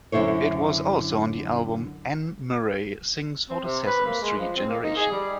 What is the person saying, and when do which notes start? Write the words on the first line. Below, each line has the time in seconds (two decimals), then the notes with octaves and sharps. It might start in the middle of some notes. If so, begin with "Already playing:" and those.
It was also on the album "Anne Murray Sings for the Sesame Street Generation".
0.12 F#2 D3 E4 C5 C#5
3.49 C4
3.63 C3
3.86 B4
4.06 A#3
4.21 G#3
4.38 F3
4.57 C4
4.69 A#3
4.83 D#4
4.96 G#4
5.11 G3